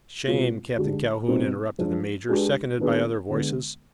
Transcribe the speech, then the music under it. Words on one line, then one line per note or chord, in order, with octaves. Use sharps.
"Shame, Captain Calhoun!" interrupted the major, seconded by other voices.
B2 G#3 C4 F4
D3 G#3 D4 G4
B2 G3 C4 D#4
F3 G#3 D4
G#3 D4 G4 B4
D#3 B3 D4 G#4
D3 G#3 B3